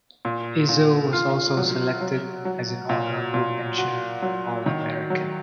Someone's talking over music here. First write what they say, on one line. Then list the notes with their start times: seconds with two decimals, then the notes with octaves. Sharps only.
Izzo was also selected as an Honorable Mention All-American.
0.25 A#2
0.69 A#2
1.13 F4
1.57 F#3
2.01 F#3
2.45 F#3
2.89 A#2
3.34 A#2
3.78 F#4
4.22 F#3
4.66 D#3
5.10 F#3